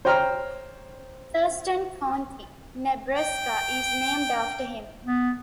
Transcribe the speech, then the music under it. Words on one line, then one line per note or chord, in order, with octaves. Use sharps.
Thurston County, Nebraska is named after him.
C5 C#5 G5 A#5 F6
G5
B3